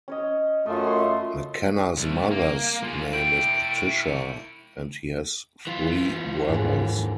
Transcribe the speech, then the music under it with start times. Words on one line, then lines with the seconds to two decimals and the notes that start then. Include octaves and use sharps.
McKenna's mother's name is Patricia, and he has three brothers.
0.08 C#4 C#5 D#5
0.66 F#2 A3 F4 D#5
0.87 C6
1.97 C2
2.31 A#3
2.83 G#3 F4
3.13 E4 G5 D7
5.67 E3 F4
6.49 D#2 G#2 D3